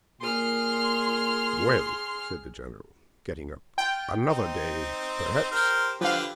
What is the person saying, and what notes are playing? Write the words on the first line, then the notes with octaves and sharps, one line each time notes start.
"Ah, well," said the General, getting up, "another day, perhaps."
A#2 G#4 C6 F6
F4 G5
C4 D#4
G4 A#4 C5
D3 F3 G4 B4 F5